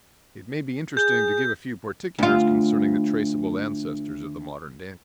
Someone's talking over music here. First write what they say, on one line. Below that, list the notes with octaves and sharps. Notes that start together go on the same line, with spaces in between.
It may be interesting to give a few particulars concerning the traceable ancestors of the modern Dandie.
G#4 G6
D2 F4